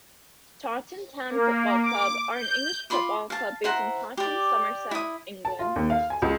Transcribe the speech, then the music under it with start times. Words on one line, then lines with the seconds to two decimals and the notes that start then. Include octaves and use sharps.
Taunton Town Football Club are an English football club based in Taunton, Somerset, England.
1.30 A#3
1.82 D6
2.33 G6
2.90 F4 B5 C6 D6
3.30 F5 A5
3.64 E4 C5 F#5 A#5
4.17 G4 D5
4.91 E4 D#6
5.45 A5
5.59 F4
5.76 D#2
5.90 F5
6.10 G#5
6.22 C#2